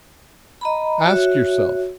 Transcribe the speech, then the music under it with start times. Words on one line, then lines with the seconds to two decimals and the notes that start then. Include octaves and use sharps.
Ask yourself!
0.61 D#5 A#5 B5
1.06 F#4 C#5 E5